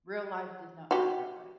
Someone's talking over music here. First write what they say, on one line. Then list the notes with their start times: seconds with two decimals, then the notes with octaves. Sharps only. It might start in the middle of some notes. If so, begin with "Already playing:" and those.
Real life does not work that way.
0.91 F#4 G4